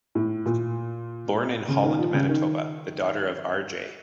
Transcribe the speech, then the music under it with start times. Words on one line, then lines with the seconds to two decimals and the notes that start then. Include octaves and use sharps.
Born in Holland, Manitoba, the daughter of R. J.
0.15 A2
0.46 A#2
1.68 C#3
1.83 D#3
1.99 F3
2.14 C#3
2.29 D#3